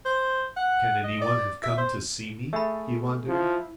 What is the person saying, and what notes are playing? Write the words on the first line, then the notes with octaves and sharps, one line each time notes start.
"Can anyone have come to see me?" he wondered.
C5
F#5
D#5
D5
E5
C5
A3 G#4 A4 E5 B5
F3 E4